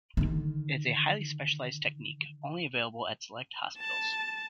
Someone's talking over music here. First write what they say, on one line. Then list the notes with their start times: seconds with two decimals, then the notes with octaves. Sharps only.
It is a highly specialized technique only available at select hospitals.
0.17 D3 D#3
3.78 A5